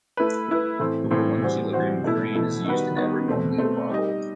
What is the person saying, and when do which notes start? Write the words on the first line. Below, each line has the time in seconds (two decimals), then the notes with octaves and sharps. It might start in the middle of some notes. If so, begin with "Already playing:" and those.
Over one kilogram of grain is used in every one-liter bottle.
0.17 A3 E4 B4
0.48 A3 E4 B4
0.79 A2 E3 A3 C4
1.11 A2 E3 A3 C4
1.42 E3 G3 C4 F#4 C5
1.73 E3 G3 C4 F#4 C5
2.04 B2 A3 E4
2.35 B2 A3 E4
2.65 D#3 G3 B3 F#4 B4
2.96 D#3 G3 B3 F#4 B4
3.28 B2 A3 C4
3.58 B2 A3 C4
3.90 G3 D#4 G4 D#5